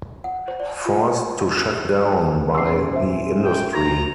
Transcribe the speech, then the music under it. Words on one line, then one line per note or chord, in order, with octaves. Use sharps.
Forced to shut down by the industry.
F#5
C5
D5
F4
A#2 C#4 F4 E6 C7
C5 E5
G5
A#5